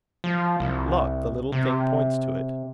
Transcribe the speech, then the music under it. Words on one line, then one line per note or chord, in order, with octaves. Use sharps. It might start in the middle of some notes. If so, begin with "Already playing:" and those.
"Look, the little thing points to it."
F3
C2
C3